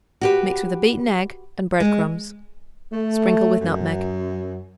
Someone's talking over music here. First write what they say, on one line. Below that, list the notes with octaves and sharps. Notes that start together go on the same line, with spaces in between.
Mix with a beaten egg and bread-crumbs; sprinkle with nutmeg.
F#4 G4 B4
G#3
A3
F#2